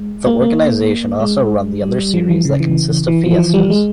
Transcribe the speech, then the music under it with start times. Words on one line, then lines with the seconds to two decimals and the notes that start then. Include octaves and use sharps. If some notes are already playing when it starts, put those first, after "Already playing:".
The organisation also run the other series that consists of Fiestas.
Already playing: G#3
0.27 A#3
0.42 A#3
1.20 G#3
1.82 G3
1.98 G3
2.14 F3
2.29 E3
2.45 C#3
2.60 E3
3.08 E3
3.24 F3
3.38 F3
3.54 G3
3.64 G3
3.70 G#3